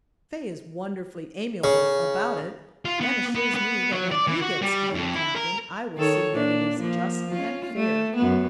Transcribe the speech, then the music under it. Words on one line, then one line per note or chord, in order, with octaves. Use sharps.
Faye is wonderfully amiable about it, and assures me that when he gets to be a captain I will see that it is just and fair.
C#3
F4
B3
B3
B3
F#3
D5
E3
F#4
G3
F2
E4
A#4
D#3 A4 C#5
A#2 D4
F3 A#3
C#4 F4
A3
F#2 B3